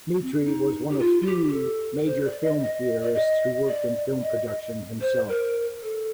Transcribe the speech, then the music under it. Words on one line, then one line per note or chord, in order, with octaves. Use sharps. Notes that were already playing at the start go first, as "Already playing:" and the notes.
Mitry was one of few major film theorists who worked in film production himself.
C4
D4
D#4
G4
F4
F4
G4
G4
A4
C5
D5
D#5
D#5
D5
D#5
D5
D#5
C5
A#4
A4